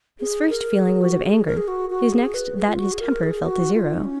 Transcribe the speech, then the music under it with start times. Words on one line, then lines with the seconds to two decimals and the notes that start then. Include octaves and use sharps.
His first feeling was of anger; his next that his temper fell to zero.
0.20 G#4
0.50 A#4
0.79 G#4
1.01 F#4
1.23 G#4
1.46 A#4
1.57 G#4
1.68 F#4
1.90 F#4
2.12 G#4
2.34 B4
2.56 G#4
2.68 F4
2.79 F#4
2.93 G#4
3.01 A#4
3.23 G#4
3.45 F#4
3.74 F4
3.93 D#4
4.04 C#4